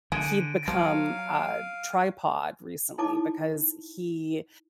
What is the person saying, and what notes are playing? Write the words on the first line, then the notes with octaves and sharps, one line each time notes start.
he'd become a tripod recently because he
D3 G#4 D7 D#7
F3 F#3 F5
D#4 E4 A4 C#5 A5 D6